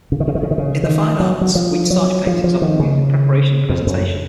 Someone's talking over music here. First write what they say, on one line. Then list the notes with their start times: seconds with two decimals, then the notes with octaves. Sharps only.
In the fine arts, wheat starch paste is often used in preparation and presentation.
0.12 C#3
0.20 D#3
0.28 C#3
0.35 D#3
0.43 C#3
0.51 D#3
0.58 C#3
0.83 D#3
1.20 F#3
1.41 F#3
1.55 F3
1.90 F#3
2.27 F3
2.44 F3
2.62 D#3
2.80 C#3
3.69 F2
3.87 F#2